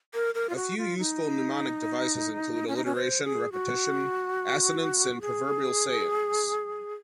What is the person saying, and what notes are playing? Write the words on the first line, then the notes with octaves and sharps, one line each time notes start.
A few useful mnemonic devices include alliteration, repetition, assonance, and proverbial sayings.
A#4
A#4
F4
F#4
F4
D#4
C#4
D#4
C#4
C5
G#4
F#4
G#4